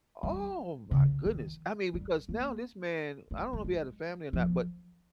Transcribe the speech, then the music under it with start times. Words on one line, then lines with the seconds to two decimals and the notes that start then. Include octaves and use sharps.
Oh my goodness. I mean, because now this man I don't know if he had a family or not, but
0.23 G3
0.91 C#3
1.26 D#3
1.94 G3
2.29 A#3
3.31 G#3
3.53 G3
3.64 G#3
4.33 F3